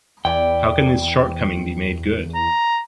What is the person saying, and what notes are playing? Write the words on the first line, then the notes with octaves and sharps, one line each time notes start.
How can this shortcoming be made good?
E2 E4 B4 D5 G5
A#5